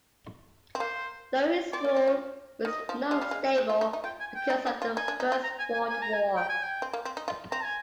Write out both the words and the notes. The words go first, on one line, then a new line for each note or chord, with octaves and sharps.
Though his rule was not stable because of the First World War.
C4
A#3 C5
C4 D5
A#3
C4
F3
D#3 D#5
F3
G#3 F5
G3
G#3
G#3
F4
D#4
D#4
F4 G5
G#5
G5
D#4
D4
F4
D#4 G#5
D4
D#4
F4
A#5
G#5
G#5
G#5
A#5
G#5
G5
G#5
G5
C4
A#3
C4
D#4
F4
C4 A#5
G#5